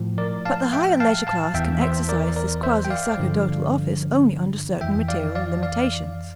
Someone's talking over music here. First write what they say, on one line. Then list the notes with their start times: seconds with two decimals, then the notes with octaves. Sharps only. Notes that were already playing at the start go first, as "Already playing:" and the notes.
But the higher leisure class can exercise this quasi-sacerdotal office only under certain material limitations.
Already playing: A2 F3
0.18 A#4 D5
0.45 F5 A5
0.73 E5 G5
1.00 F5 A5
1.27 F5 A5
1.54 E2 E3 E5 G5
1.81 C5 E5
2.09 A#4 D5
2.36 A#4 D5
2.63 C5 E5
2.85 G5
2.90 D5 F5
3.18 G2 D3 F3
4.81 F2 E3 E5 G5
5.08 D5 F5
5.35 D5 F5
5.63 D5 F5